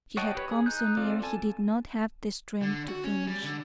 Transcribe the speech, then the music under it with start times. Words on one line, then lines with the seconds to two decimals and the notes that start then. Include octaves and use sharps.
She had come so near he did not have the strength to finish.
0.17 C#5 D#5 F#5 G5 A5
0.35 G4 B4 C#5
0.52 G#4
0.66 D#4 F#6 G6
0.97 C4 F4 A4 D5
1.23 A4 G#5 A5
2.62 D3
2.88 F#4
3.04 C#4
3.28 G3
3.44 D3